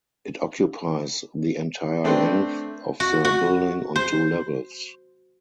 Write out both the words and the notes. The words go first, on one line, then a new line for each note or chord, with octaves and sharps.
It occupies the entire length of the building on two levels.
A3 C4 D4 B4 C5 G5
F#4
F#4
C5